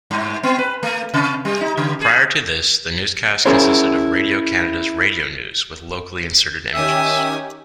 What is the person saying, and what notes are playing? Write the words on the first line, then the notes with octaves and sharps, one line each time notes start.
Prior to this the newscast consisted of Radio-Canada's radio news with locally inserted images.
G2
B3
B4
A3
C3
G3
D#4
C#3
G#4
C#4 E4 G#4 A#4 C5 C#5
D#3 C#4 G4 E5 G#5 D#6